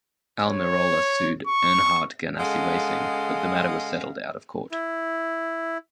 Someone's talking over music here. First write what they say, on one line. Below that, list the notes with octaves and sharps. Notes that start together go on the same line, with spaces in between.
Almirola sued Earnhardt Ganassi Racing but the matter was settled out of court.
C#5
C#6
C#3 G#3 A4 D#5 F5 F#5
E4